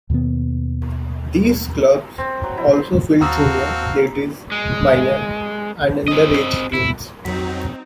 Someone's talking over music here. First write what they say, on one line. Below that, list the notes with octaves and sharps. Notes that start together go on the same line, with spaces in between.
These clubs also field Junior, Ladies, Minor and Underage teams.
D#2 B2 D#3 B3
C4
F#3
E4
C6
D#2 C4 F#4 F5 A5 A#5 D#6 E6
G#3
C4 D#5
E4
F2 F#3 C4 D#4 F#4 B6